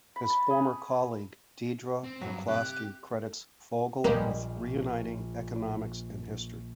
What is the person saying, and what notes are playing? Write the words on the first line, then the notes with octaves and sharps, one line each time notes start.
His former colleague Deirdre McCloskey credits Fogel with "reuniting economics and history".
B5
A5
G#4
C4
G2 F#3
C3 G4 F#6
A#1 G3 G#3 A#3